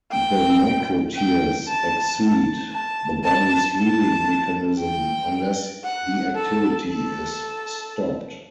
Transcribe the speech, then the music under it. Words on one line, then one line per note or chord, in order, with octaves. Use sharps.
The microtears exceed the body's healing mechanism unless the activity is stopped.
G5
G5
A5
A5
A5
A5
A5
G5
F#5
A4
A4